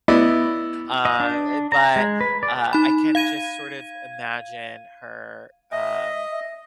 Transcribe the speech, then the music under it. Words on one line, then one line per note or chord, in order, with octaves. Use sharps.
uh, i but, uh, I can just sort of imagine her, um
B3 E4 D5 D#5
D#5
D4
A#5
G#3
B4
D5
D#4 B5
F5 G#6 D#7
D#5 E5